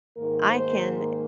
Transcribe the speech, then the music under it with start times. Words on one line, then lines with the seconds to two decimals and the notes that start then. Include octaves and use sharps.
I can
0.17 G#2 D#3 A#3 A#4
0.48 C5